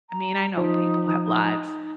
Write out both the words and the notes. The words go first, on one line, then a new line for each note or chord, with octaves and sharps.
I mean, I know people have lives,
A#5
F3 D#4